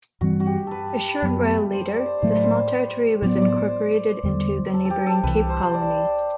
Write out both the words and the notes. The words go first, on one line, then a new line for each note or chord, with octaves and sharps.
A short while later, the small territory was incorporated into the neighbouring Cape Colony.
G2 E3 G3 C4 F#4
F#4
G4
A4 B4
F#2 F#3 B3
C5
D5
C5
A2 F#3 A3 D5
C5
B4
C5
A2 F#3 B3 D5
D5
C5
E2 D3 G3
A4
A4
G4
A4
C2 C3 E3 B4
C5
D5